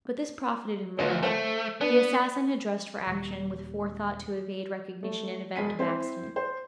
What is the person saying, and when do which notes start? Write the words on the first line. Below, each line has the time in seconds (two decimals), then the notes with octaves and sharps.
But this profited him little: the assassin had dressed for action with forethought to evade recognition in event of accident.
0.99 D2 B3 F4 D#5
1.23 A3 A4 C5 F#5
1.81 B3 D4
3.07 D#1 G3
5.03 A3
5.56 E1 G#3 B6 D#7
5.79 C4 E4 C5
6.36 C5